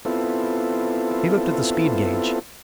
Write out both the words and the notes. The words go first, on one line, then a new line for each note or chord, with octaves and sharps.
He looked at the speed gage.
B3 C4 E4 F4 A4